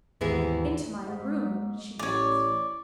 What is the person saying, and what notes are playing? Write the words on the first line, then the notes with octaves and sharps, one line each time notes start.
"Into my room?" she gasped.
D#2 G#2 E3 B3 E4 G#4
G#2
A1 C#5 D5